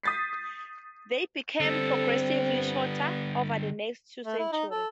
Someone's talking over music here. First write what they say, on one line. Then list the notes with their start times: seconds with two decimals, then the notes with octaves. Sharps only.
They became progressively shorter over the next two centuries.
0.03 D#6 G6 A6 B6 C7
1.60 D3 G3 C4 A4
2.55 B3
4.25 A3
4.39 E4
4.52 D#4
4.71 A4